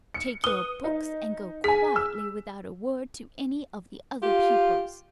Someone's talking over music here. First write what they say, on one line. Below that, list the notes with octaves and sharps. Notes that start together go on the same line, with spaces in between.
Take your books and go quietly without a word to any of the other pupils.
C#7
B4 D#6 G7
D#4
G#4 G#5 B6
E6
F4 G4